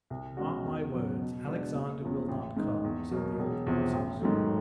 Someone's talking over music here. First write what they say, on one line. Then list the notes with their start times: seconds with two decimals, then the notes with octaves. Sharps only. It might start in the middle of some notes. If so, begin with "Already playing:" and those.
"Mark my words, Alexander will not come," said the old princess.
0.10 C2
0.37 B2 G#3 C#4 F#4
0.64 E2
0.92 C#3 F#3 B3
1.20 B2
1.47 G#3 B3 D4
1.75 F#1
2.01 E2 C#3 F3
2.29 A1
2.57 G#2 D#3
2.84 E2
3.11 B2 F#3 A#3
3.39 E1
3.67 E2 C3 F3
3.93 A1
4.20 G#2 D#3 F#3 A3